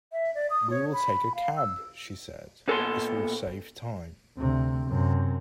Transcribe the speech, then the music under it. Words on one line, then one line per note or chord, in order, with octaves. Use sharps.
"We will take a cab," she said: "it will save time."
E5
D5
D#6
C#5
B5
F5
E6
A#2 B3 A4 G#5 A#5 C6
D2 C3
F#2 C3